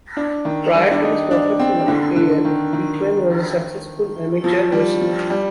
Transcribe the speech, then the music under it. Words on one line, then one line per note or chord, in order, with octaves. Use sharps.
Prior to his professional career Pittman was a successful amateur wrestler.
D4
D#3
G3
D4
D#4
D4
C4
D3
D3
D#3
D#3
F3
G3
F3
G3